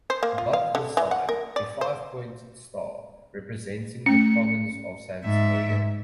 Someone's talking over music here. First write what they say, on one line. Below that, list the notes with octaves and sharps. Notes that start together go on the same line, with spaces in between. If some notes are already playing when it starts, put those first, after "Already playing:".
Above this sign, a five pointed star, representing the Province of Santiago.
C5
A#3
F4
F5
D3
E3
F#5
A#4
D5
C5
A3 C#4 C#7
G#2 E5